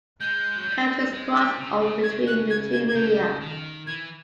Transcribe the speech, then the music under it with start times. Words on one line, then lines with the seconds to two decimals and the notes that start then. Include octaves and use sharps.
Characters cross over between the two media.
0.20 G#3 G6
0.56 F#3
0.67 G3
1.13 G#3
1.35 G3
1.59 C#3
1.81 C#3
2.03 G#6
2.27 F#6
2.50 G#6
2.72 G#6
2.87 G#6
2.95 C#3 G6
3.41 D#3
3.87 E3 G#6